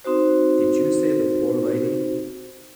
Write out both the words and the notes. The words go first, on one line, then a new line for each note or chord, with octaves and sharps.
Did you save the poor lady?
C4 D#4 F#4 C5